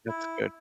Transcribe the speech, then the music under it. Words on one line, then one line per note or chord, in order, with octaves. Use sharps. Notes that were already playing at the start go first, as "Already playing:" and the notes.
That's good.
E4